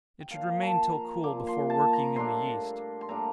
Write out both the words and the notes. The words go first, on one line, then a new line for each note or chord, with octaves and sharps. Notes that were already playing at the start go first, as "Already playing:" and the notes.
It should remain till cool before working in the yeast.
G5
A#2 F3 A#3 F5
A5
A#5
A#2 F3 A#3 D6
C6
A5
A#5
A2 G3 A#3 D4 C6
C6
A2 G3 A#3 D4 A#5